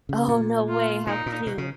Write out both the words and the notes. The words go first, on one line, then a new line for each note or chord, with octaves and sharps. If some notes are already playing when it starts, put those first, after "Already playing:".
Oh, no way, how cute.
C#3
A#2
F4
A#2 D#4
A#2
B2
C#3